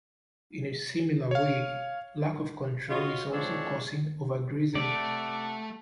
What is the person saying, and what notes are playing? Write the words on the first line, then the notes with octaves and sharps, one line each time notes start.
In a similar way lack of control is also causing over-grazing.
C#5 F5
F4 F#4 C#5 D#5
F3 G#3 C4 D4 C#5
C3 A3 D5 F#5 A5